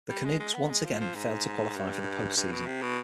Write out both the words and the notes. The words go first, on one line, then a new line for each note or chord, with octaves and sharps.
The Canucks once again failed to qualify for the post-season.
G3
G#3
G#3
B3
G#3
F3
F3
G#2
G2
G2
B2
C3
B2